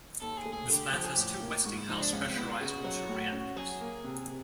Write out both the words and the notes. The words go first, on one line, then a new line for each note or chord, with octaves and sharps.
This plant has two Westinghouse pressurized water reactors.
D#2 A4
G#4
A3
G#4
D3 G4
F3 G4
G#4
A1 G4
A#3
G#2 F#4
E4
F3 D#4
D4
C#2 C#4
C4
B3 E4
F4
C#3 F#4
F#3
A2
C#4
F#3 G#4
A#3
C3
C3